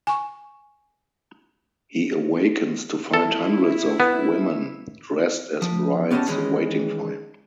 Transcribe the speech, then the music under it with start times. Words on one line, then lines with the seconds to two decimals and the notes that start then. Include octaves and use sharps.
He awakens to find hundreds of women dressed as brides waiting for him.
0.07 G#5 C#6
3.14 E4 A4
4.00 B3
5.62 F3
6.11 B3 C#4 G4 C#5 D#5 A5
6.27 D#3 E3 G#3 C#4